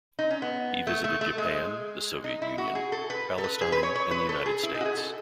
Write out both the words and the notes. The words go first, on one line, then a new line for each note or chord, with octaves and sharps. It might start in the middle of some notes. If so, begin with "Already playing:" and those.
He visited Japan, the Soviet Union, Palestine and the United States.
D#4
C#4
B3
A3
A3
A3
G#3
D#4
E4
F#4
G#4
A4
B4
A4
B4
G#4
B4
C#5
C#5
B4
A4
G#4
E4
D#4
F#4
G#4
A4